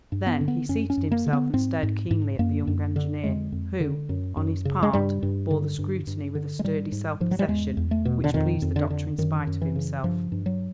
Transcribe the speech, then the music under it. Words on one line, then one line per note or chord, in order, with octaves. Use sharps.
Then he seated himself and stared keenly at the young engineer, who on his part bore the scrutiny with a sturdy self-possession which pleased the doctor in spite of himself.
G2
B3
D3
B3
F#2 C#4
C#4
F#2
A#3
D3
B3
G#2 C4
G#2
G#2
F#2 A#3
F#2
D3
F2 G#3
F2
D3
F#2
F#2
C#3
G#3
G2 G3
G2
D3
G2
G2
D3
G#3
G#2 G3
G#2
G#2 F3
F#3
G3
E2 G#3
E2
A3
B2
D3
F2 D#3
F2
D3
D3
F#2 D#3
F#2
E3
C#3
G2 F3
G2
F#3